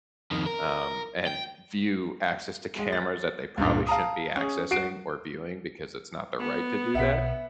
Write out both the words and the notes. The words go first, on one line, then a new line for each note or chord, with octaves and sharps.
um, and view access to cameras that they probably shouldn't be accessing or viewing because it's not their right to do that,
F2 D#3
A#4
G5
G#3
A6
C#2 G2 A#2
F5 A5 A#5 D#6
C#4 G#4
F#4 C7 D7
B3
B1 B2 E5 F#5 B6